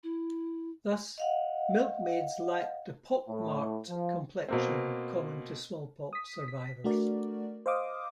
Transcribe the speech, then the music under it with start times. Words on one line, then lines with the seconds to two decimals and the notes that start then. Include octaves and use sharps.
Thus, milkmaids lacked the "pockmarked" complexion common to smallpox survivors.
0.03 E4
1.18 D#5 F5 F#5
3.28 A2
3.89 F3
4.48 B2 A#3 C4
6.13 D#6 B6
6.48 B6
6.84 A3 D4 F#4 A#4 D5
7.66 C5 D#5 F5 D6 D#6